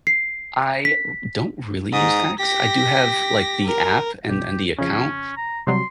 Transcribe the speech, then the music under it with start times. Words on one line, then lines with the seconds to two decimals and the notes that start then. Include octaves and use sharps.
I don't really use X. I do have, like, the app and and the account,
0.07 C7
0.85 B6
1.93 G#2 A#5 D#6
2.39 G4 A#6 B6
3.65 A#4
4.29 B1 G4
4.79 F2 C#3 C#4
5.37 A#5
5.67 C3 F#3 G3 C6